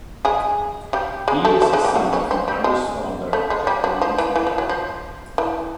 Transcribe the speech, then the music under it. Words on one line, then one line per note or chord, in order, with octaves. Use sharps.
He is the son of an Irish father and a Japanese mother.
G#3 G#4
G3 G4
G#3 G#4
A3 A4
A3 A4
G#3 G#4
G3 G4
F#3 F#4
C#3 C#4
C4
G3
G#3
A3
G#3
G3
F#3
F3
E3
E3
F3
F#3
F3
E3